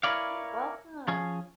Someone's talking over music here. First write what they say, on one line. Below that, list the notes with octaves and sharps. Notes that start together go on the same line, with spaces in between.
You're welcome.
E4 A#4 B4 C#5 D5 F5
F3 C#4 G#4